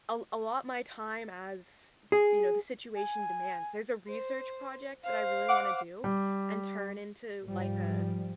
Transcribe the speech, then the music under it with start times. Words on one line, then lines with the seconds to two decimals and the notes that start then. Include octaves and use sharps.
al allot my time as, you know, the situation demands. There's a research project that I really wanna do and turn into, like, a
2.12 G#4
2.95 G#5
4.07 C5
5.04 C5 F5
5.48 F#5 D6
6.04 G3
7.45 G#2 F3 G3